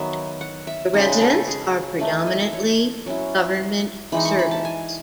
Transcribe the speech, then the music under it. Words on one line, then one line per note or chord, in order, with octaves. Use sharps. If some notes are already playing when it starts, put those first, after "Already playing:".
The residents are predominantly government servants.
Already playing: D#3 F#3 B3 E5
F#5
E5
C#3 G#3 D#4 D#5
B4
A4
G#4
E3 A3 D#4 B4
D#5
E5
C#5
F#3 C#4 E4
E3 G#3 D#4 B5
C#6
B5
A5
G#5